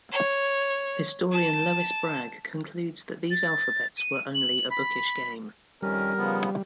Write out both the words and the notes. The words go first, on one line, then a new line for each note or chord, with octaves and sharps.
Historian Lois Bragg concludes that these alphabets were only a bookish game.
C#5
A5
A6
D#7
F#7
B5
F2 D#3 G3 C#4 A#4
C#3 F3 B3